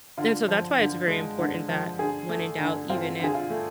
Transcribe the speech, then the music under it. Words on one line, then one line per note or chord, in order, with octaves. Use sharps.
and so that's why it's very important that, when in doubt, even if
D3 F4
F3
D3
G#3
D3
F3
D3 G#4
A3
D3
C4 F4
D3 G#4
F4
A3